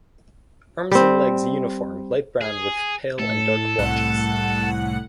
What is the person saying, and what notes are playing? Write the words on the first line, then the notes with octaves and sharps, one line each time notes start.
Arms and legs uniform light brown with pale and dark blotches.
G3 C4
G#4
A2 A4
C2 A2 F#5